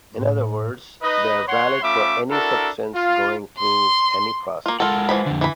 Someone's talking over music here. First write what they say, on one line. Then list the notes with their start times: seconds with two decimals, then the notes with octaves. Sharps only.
In other words, they are valid for any substance going through any process.
0.14 A2
1.02 D#4 B4 D#5
1.48 C#5 F#5 C6
1.82 A3 C#4 F4 E5 B5 D6
2.30 D4 E4 F#4 A4 A#4
2.95 F4
3.59 C6
4.66 A#3 F4
4.80 G#3 F4 A4 A#4 F#5
5.09 E3 F3 B5
5.26 F2 D3
5.41 E3 B5